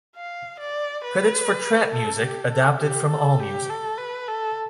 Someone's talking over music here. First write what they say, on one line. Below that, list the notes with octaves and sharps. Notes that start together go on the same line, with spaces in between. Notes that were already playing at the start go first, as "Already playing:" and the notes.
Credits for "Trap Muzik" adapted from Allmusic.
F5
D5
B4
A4
G4
A4
G4
A4
G4
A4
B4
A4